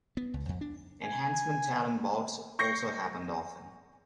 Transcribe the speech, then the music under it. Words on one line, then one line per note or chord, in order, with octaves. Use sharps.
"Enhancement talent" bouts also happened often.
B3
C#2
F2
D4
G#5
C#6 G6 A#6 C7 C#7